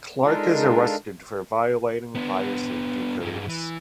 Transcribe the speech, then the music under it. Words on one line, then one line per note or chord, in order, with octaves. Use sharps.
Clark is arrested for violating fire safety codes.
G#3 D4 D#4 F4 A4 A#4
B3 D4
G2 G#3
E3